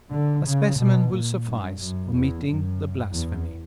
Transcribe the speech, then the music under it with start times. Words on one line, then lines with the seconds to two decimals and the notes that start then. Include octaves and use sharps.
A specimen will suffice, omitting the blasphemy.
0.12 D3
0.46 C#3
0.79 B2
1.13 A#2
1.46 G2
1.80 F#2
2.12 E2
2.47 F#2
3.13 E2